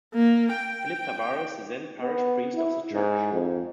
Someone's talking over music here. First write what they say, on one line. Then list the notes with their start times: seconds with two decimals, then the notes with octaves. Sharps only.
Philip Tavares the then parish priest of the Church.
0.14 A#3
0.54 G5
2.00 B3
2.55 E4
2.92 G#2
3.32 F2